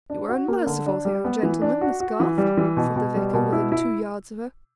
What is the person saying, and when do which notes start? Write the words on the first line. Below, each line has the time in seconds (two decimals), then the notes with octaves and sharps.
"You are unmerciful to young gentlemen, Miss Garth," said the Vicar, within two yards of her.
0.10 D4
0.29 F#4
0.48 A#3
0.66 D3
0.86 D4
1.05 G3
1.25 B3
1.43 E3
1.62 D4
1.81 F#4
2.00 F#4
2.20 E3
2.38 G3
2.57 E3
2.77 B2
2.96 B2
3.15 G3
3.34 B2
3.53 E4
3.72 E4